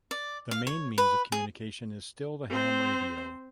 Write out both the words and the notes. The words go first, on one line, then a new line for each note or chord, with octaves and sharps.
The main means of communication is still the ham radio.
D5
F5
C#5
B4
G#4
C4 C5